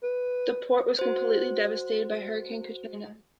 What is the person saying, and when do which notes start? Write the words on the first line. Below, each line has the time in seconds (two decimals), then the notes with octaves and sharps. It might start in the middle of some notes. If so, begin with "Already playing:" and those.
The port was completely devastated by Hurricane Katrina.
0.03 B4
0.99 F#4 C5